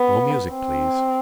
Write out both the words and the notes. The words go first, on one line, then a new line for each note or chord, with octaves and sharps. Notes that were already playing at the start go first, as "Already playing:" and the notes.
Slow music, please.
Already playing: B3
C4